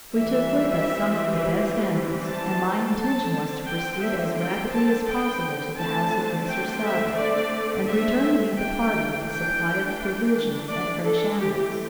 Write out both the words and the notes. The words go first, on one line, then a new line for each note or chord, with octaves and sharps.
We took with us some of the best animals, and my intention was to proceed as rapidly as possible to the house of Mr. Sutter, and return to meet the party with a supply of provisions and fresh animals.
E3 G3 C4 E5
A5
D3 C4 A5
G5
E5
G5
A5
G5
D3 A3 C4 A5
G5
E5
D5
E5
E3 A3 D4 G5
G5
D5
A4
E3 A3 C4 G4